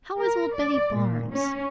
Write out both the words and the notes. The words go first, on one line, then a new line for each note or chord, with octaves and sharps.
'How is old Betty Barnes?'
A#4
D5
A#2
C#4